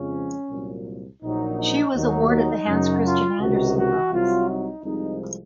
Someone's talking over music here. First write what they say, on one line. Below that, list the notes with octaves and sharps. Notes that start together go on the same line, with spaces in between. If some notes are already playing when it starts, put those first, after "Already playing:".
She was awarded the Hans Christian Andersen Prize.
Already playing: F2 C#3 F3 G#3 C#4
C2 A#2 F#3
A#1 A#2 F#3 D#4
D#4
D#2 D#3 F#3 D#4
D#4
F#2 C#3 F#3
F4
C#2 C3 D#3 F#4
F#4
C2 C3 F#3 F4
D#4
C2 C3 F3 G#3 D#4